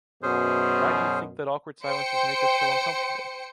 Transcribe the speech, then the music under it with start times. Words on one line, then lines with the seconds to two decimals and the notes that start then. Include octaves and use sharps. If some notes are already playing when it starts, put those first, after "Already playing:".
Why do you think that awkward silences make us so uncomfortable?
0.23 F#2 B2 C#4 G#4 C5
1.85 C5 G5 C#7